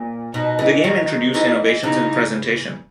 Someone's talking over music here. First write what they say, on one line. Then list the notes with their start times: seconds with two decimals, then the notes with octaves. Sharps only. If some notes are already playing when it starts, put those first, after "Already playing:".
The game introduced innovations in presentation.
Already playing: A#2
0.34 B2 D#4
0.59 E3 G#3
0.84 D#3 F#3
1.34 E3 G#3 D#4
1.83 C#3 E3 D#4